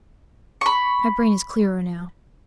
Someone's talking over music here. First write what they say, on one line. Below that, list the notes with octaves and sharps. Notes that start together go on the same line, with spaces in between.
My brain is clearer now.
B5 C#6